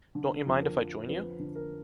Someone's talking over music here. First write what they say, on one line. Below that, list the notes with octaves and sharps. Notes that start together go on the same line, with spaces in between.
Don't you mind if I join you?
D3
F2
A#4
F3
F2 B4
D3
A#4